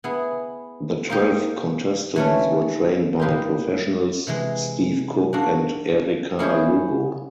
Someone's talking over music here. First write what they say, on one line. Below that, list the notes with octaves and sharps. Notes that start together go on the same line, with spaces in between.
The twelve contestants were trained by professionals Steve Cook and Erica Lugo.
B3 E4 G#4
A#3 D#4 G4
E3 A3 C#4
A#3 D#4 G4 B4
C3 E3 G#3
A#3 D4 F#4 A4
A#3 C#4 E4 G#4 C5